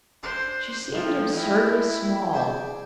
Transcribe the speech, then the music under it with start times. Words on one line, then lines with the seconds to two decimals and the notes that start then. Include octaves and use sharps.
She seemed absurdly small.
0.23 D4 C5 C6 D6
0.94 F2 F3
1.33 E4 D#5 G5 G#5
2.33 G#4 C5 D5